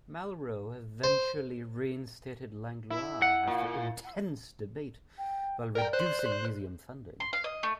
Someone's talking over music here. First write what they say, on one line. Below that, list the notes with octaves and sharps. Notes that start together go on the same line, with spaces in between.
Malraux eventually reinstated Langlois after intense debate, while reducing museum funding.
C5
E4
F#5
A#2
G5
A#4 D5 G5
C5 F#6
C6
F5
D#5
A3